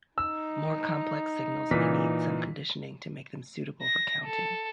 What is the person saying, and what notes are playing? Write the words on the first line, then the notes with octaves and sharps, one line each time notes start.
More complex signals may need some conditioning to make them suitable for counting.
D#4 E6
A#2 E3 B6
A#6
A4